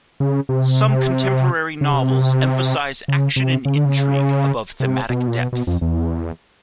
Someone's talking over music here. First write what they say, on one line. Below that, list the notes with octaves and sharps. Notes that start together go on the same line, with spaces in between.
Some contemporary novels emphasize action and intrigue above thematic depth.
C#3
C3
C#3
C3
C#3
C3
C#3
D3
C#3
C3
B2
A#2
B2
B2
F2
E2